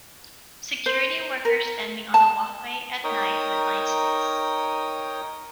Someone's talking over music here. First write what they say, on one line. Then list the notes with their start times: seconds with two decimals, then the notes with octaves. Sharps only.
Security workers standing on a walkway at night with light sticks.
0.86 C5
1.45 A#4
2.14 A5
3.04 D#4 A#4 C#5 G5 D#6